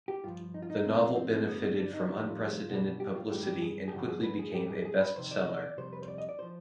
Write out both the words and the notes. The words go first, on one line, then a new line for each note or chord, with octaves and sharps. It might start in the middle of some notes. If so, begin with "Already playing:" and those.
The novel benefitted from unprecedented publicity and quickly became a best-seller.
G4
G2 F3 F4
D#4
F4
D#4
F2 C3 F3 C4
B3
C4
C4
C4
G2 D3 G3 B3
C4
D4
D#4
F2 D#3 G3 D4
F4
B2 G3
G4
F4
G2 D#3 G3 G4
G4
G#4
G#4
G2 D3 F3 G4
G#4
B4
G#4
G#2 G3 G4
G#4
G#4
B4
F2 C3 D#3 C5
D5
D#5
D5
F2 C3 G3 C5
B4
C5
D5
D#5
D5
F3 C5